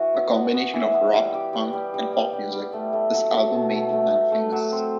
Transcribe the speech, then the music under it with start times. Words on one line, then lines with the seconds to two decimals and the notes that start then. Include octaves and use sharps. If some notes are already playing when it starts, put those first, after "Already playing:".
A combination of rock, punk and pop music, this album made the band famous.
Already playing: E3 F#4
0.14 B3
0.34 B3
0.54 B3
0.74 E3
0.94 B3
1.13 G3
1.34 G4
1.53 G3
1.73 G3
1.94 G3
2.13 G3
2.33 G3
2.53 G3
2.73 A3
2.93 A3
3.13 F#3
3.33 F#3
3.53 B2
3.73 A3
3.93 A3
4.13 A3
4.32 A3
4.52 F#3
4.72 C4